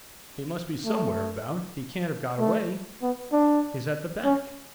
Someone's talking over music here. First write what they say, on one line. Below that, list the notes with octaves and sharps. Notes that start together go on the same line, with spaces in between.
He must be somewhere about,--he can't have got away,--he's at the back.
A3
A3
B3
D4
C#4